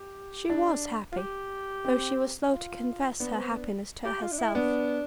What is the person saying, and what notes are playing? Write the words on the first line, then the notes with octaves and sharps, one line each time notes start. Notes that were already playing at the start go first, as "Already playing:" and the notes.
She was happy, though she was slow to confess her happiness to herself.
Already playing: G4
D4
F4
G4
C4
F4
B3 D4
C4
D4
G4
F4
D4
E4
B3 D4